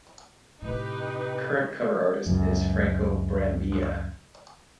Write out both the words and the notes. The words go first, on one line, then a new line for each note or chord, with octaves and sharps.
Current cover artist is Franco Brambilla.
A2 C3 D#4 G4 B4
C#2 F#2